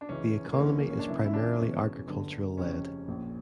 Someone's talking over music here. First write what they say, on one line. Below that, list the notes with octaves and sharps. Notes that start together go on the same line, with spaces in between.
The economy is primarily agricultural lead.
D4
C#2 C#3 E3 C#4
A#3
C#2 C#3 E3 C#4
A#3
C#4
D4
C#2 C#3 E3 E4
E4
D4
E1 E2 C#3 E3 C#4
G1 G2 D3
F1 F2 C#3 C#4
A#1 A#2